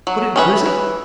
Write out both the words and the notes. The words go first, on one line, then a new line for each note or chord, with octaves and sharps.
"But in prison?"
F#3
C#4 G#4 B4 E5
E3